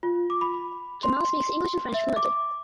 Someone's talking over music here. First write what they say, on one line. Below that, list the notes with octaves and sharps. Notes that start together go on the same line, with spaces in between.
Jamal speaks English and French fluently.
F4
D6
B5
C6
E5
D6